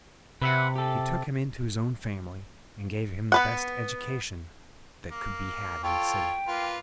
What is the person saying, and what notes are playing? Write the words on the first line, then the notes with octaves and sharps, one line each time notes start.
He took him into his own family, and gave him the best education that could be had in the city.
C3 B4 E5 F#5
G4 A4
B3 B4 F#5
A#3
F4 A4 C#5 G5
A#3 F4 B4